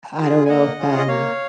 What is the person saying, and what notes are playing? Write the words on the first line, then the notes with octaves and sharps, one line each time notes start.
I don't know if I'm
F4 G#4
G#5
A#3 D#5 F#5
C#4 F4 G#4
D#5
A#3 C#5 F5